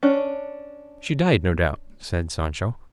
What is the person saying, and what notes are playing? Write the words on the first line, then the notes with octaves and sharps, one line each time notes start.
"She died, no doubt," said Sancho.
C#4 D4